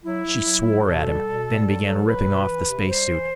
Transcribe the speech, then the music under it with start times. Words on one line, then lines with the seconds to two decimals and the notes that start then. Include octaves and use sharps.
She swore at him, then began ripping off the spacesuit.
0.04 F#3 E4
0.24 F#3
0.44 F#3
0.65 A2
0.84 B2 A4
1.05 G3
1.25 B2
1.46 G3
1.65 F#3
1.86 F#3
2.06 F#3 B4
2.27 B2
2.47 E3
2.67 C3
2.87 G3 C5
3.08 E3